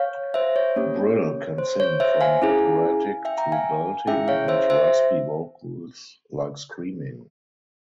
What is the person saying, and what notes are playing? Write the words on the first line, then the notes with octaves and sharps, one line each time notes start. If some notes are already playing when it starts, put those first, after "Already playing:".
Brill can sing from operatic to belting and raspy vocals like screaming.
Already playing: C#5 F5
C5 E5
C#5
A#3 C#4 G4
C5
C#5
C5 E5
F5 G#5
C#4 E4 G#4
E5 G5
G5 A#5
F5 G#5
C#4 E4 G#4 E5 G5
C#5 F5
C5 E5
C5 E5